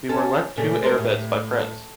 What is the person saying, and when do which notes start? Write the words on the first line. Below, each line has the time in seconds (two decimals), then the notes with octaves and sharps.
We were lent two air-beds by friends.
0.09 C#4 A4
0.57 A#2 C#3 A3
0.83 G#3 A#4
0.98 A2